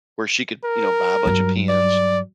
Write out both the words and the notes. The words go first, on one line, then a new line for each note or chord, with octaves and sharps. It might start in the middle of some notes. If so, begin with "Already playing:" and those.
where she could, you know, buy a bunch of pins.
A#4
G2 F#3
D5